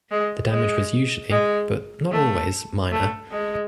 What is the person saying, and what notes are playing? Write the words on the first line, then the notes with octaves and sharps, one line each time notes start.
The damage was usually, but not always, minor.
G#3
G#3
G#3
A3
A3
G#3